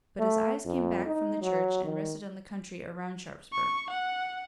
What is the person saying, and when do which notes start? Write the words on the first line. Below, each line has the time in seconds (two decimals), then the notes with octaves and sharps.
But his eyes came back from the church and rested on the country around Sharpsburg.
0.19 A3
0.65 F2
1.06 D#4
1.42 F#3
1.84 D#3
3.53 C#6
3.90 F#5